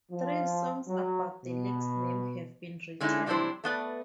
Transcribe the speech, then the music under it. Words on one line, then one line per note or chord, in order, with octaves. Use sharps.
Three songs about the lake's name have been written.
F3
F#3
B2
D3 G#3 C#4 D#4 E4
C3 F#3 G3 D4 E4 C5
A3 B3 B4 D5